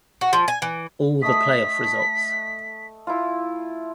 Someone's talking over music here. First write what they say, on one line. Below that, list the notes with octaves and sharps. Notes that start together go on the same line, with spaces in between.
All the play-off results.
F#4
F3
G#5
E3
A3 D#5 D#6 B6
E4 F4